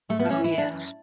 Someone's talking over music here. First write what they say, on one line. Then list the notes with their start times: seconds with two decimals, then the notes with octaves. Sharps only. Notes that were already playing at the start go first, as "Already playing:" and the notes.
Oh, yes.
0.09 G#2 A3
0.19 B3
0.30 E3 C#4
0.44 E4
0.50 E3
0.58 D4
0.72 F#2